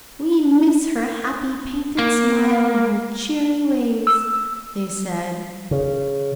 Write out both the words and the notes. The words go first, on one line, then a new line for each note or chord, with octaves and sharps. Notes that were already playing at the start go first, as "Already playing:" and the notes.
"We miss her happy painted smile and her cheery ways!" they said.
A#3
E6
C#3